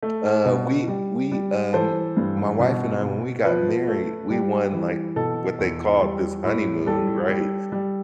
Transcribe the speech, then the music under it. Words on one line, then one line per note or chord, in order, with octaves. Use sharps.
uh, we we, um, my wife and I, when we got married, we won, like, what they called this honeymoon, right?
A3
B2
G3
G3
E3 A4 C5
G2
B2
B2
F3 B4
A3
G3
E3
B2 A4
E2
G3
A2
G3 A4
G3
G3